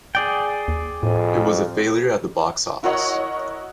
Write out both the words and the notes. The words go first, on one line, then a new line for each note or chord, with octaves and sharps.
It was a failure at the box office.
G#4 D5 G5
D#2
F2 A2
E4 F#4 A#4 C#5 D#5 F#5